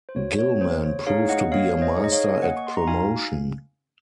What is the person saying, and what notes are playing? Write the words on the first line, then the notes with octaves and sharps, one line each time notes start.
Gilman proved to be a master at promotion.
C5
F#4 C#5
C#5
A#3 C5
C#5
D#4 G#4 C#5 F5
D#5 F#5
A#3 C#5 F5
C#5
C5 D#5
D#4 G#4
D#5
C#5 F5
G#5
A#3 D#5 F#5
C#6
C6
A#5
D#4 F#4 F5 G#5